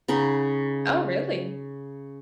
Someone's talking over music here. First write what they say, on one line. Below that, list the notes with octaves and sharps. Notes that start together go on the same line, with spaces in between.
Oh, really?
C#3 D#4 F#5 B5